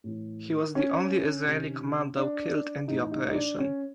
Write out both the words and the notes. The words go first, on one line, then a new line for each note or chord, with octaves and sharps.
He was the only Israeli commando killed in the operation.
A2 E3
C#4
C3 D#3
D4
A2 E3 D#4
D#4
D#4
D4
C#4